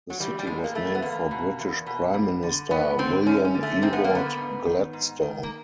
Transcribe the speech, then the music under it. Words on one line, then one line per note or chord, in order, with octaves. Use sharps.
The city was named for British Prime Minister William Ewart Gladstone.
F#3
E3 G3
G3
A2 G#3
A#3
E3 A3
B3
E2 A#3
B2
E2
B2
G2
D3
G2 B3
D3 C4
F#2 C#4
C#4
D3
A3
F#2 C4
B3
A#3
D3 B3
G#2
D#3
G#2
D#3
A#3